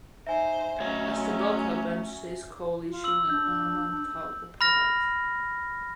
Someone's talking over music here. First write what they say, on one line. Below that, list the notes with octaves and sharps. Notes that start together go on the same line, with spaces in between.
As the book opens, she is "coalescing" on a moon called Opalite.
D#4 C5 E5 G#5
F#3 A3 C#4 C#5 D#5
F4
E6 F#7
D4 G6
B5 F6 A#6